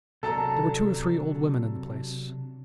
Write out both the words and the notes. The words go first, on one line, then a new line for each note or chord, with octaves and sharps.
There were two or three old women in the place.
C3 F#3 D4 A4 A5 A#5